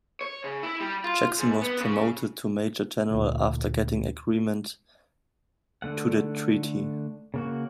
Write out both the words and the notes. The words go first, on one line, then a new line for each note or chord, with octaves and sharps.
Jackson was promoted to Major General after getting agreement to the treaty.
C#5
C#3
E4
G3
F4
G#2
B3
C#3
D2 A#2 D3
D3 A3 F#5
C#3 A#3 F#4